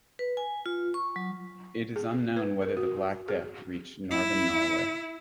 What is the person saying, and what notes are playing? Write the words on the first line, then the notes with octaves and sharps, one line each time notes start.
It is unknown whether the Black Death reached Northern Norway.
B4
G#5
F4
C#6
F#3
G#4
B4
A#4
F#4
G#4
E4